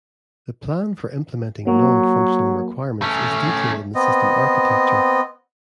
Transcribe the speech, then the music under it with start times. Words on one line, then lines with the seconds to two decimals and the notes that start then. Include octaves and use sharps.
The plan for implementing "non-functional" requirements is detailed in the system "architecture".
1.67 F#3 A#3
3.02 A3 C#4
3.95 B3 C4 D#5